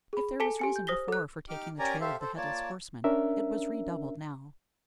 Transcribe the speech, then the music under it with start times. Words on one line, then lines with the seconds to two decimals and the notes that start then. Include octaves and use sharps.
If there was reason before for taking the trail of the Headless Horseman, it was redoubled now.
0.13 G#4 B5
0.40 A4 G#5 A5 B6 G7
0.59 G4 G#5 C#7
0.76 G6
0.87 C5 D#6 A#6 B6 G7
1.08 A4 F#6
1.49 D#4 G4 D6 F6
1.79 C#4 G4 A#4 D5 G#5 A#5
2.01 G4 A4 C5 E5 F5
2.20 A4 C5
2.37 A#3 F4 C#5 D5 A5
3.04 C#4 D4 A#4 E5